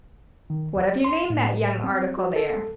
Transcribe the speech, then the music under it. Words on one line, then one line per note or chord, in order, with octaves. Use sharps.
"What have you named that young article there?"
D#3
C#2
C6
A2
C4
F#4
A4